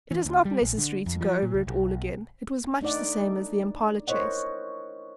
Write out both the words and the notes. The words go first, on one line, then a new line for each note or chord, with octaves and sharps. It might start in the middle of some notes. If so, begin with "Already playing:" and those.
It is not necessary to go over it all again: it was much the same as the impala chase.
E3
D2
G3
A#1
D3
F2
F3
A#2
C#2
B1
A3 D4 D#4 D5 F#5
E4 A#4 C5 C#5 D#5 F#5